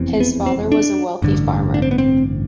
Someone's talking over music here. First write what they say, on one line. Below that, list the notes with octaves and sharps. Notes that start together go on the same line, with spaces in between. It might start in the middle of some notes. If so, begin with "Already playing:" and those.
His father was a wealthy farmer.
Already playing: F1 E2 C3
B3
C4
D4
A1 G2 D3
D4
C4
B3
C4